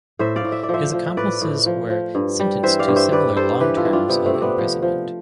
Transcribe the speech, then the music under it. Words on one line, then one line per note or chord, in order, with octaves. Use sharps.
His accomplices were sentenced to similar long terms of imprisonment.
A2 C5 E5
D5 F5
A2
E5
D5
F3
C5 E5
F3
E5
A2 B4 D5
A2
F3
F3
G2
G3
E3 C5 E5
D5 F5
G2
C5 E5
G2 B4 D5
G3 A4 C5
E3 G4 B4
F4 A4
G2 E4
D4 F4
C3 B3
A3 C4
C3
B3 D4
F3
F3